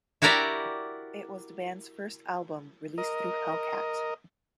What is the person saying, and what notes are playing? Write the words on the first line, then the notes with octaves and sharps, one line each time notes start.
It was the band's first album released through Hellcat.
E4 F#4 G4 A#4 D5 E5
A#4 D#5